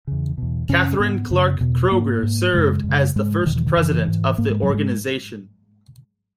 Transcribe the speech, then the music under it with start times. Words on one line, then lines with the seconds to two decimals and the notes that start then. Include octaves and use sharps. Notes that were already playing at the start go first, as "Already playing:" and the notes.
Catherine Clark Kroeger served as the first president of the organization.
0.07 E2 C#3
0.38 E2 B2
0.69 F#2 C#3 C#4
0.99 G#2 B3
1.30 F#2 C#3
1.61 E2 B2
1.92 G#2 A#3
2.23 G#2
2.54 F#2 C#3 G#3
2.84 F#2
2.89 C#3
3.16 G#2 G#3
3.46 E2 B2 D#3
3.56 E3
3.66 D#3
3.77 F#2 C#3 E3
4.08 G#2
4.38 G#2 A#3
4.50 G#3
4.63 F#3
4.69 G#2
4.74 G#3